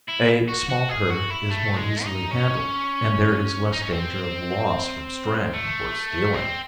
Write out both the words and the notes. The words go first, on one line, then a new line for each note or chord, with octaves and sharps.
A small herd is more easily handled, and there is less danger of loss from straying or stealing.
E4
F#4
F#4
G#4
F#4
E4
A3
G#3
D#4
C#4
D#4
C#4
C4
A3
C4